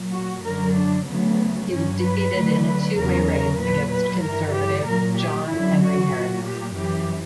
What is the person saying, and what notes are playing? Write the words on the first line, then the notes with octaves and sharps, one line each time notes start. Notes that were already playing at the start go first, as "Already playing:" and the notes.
He was defeated in a two-way race against Conservative John Henry Harris.
Already playing: A#2 F#3
F#4
F#2 D3 F#3 A#4
D4
D2 C#3 F#3 B3
G2 F#3 C#4
B4
D2 D3 F#3
B4
E2 C#3 F#3 A#4
A#4
A#2 F#3 B4
B4
G2 E3 A#4
G4
A#2 F#3 A#4
G4
F#2 D3 F#3 E4
F#4
A#2 F#3
G4
F#2 E3 G4